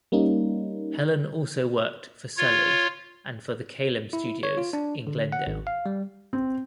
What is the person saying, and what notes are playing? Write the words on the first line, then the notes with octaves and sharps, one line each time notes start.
Helen also worked for Selig and for the Kalem Studios in Glendale.
G3 A#3 C#4 D#4
F4 C#5
E4
C#5
F4
D4
D3
F#5
G#1
F5
G3
C4